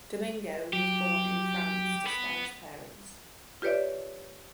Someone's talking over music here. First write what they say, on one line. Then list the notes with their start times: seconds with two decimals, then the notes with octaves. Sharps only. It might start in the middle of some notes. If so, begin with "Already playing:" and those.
Domingo was born in France to Spanish parents.
0.73 F#3 G4
2.06 B3 B5
3.62 F4 G4 B4 C#5 D5 E5